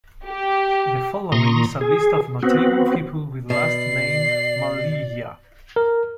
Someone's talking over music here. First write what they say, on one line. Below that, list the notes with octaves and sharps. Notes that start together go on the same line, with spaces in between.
The following is a list of notable people with last name Mallya.
G4
A#2 A#5 C6 C#6 D#6
G#4
B3 C4 F#4
B2 D5 C7
A#4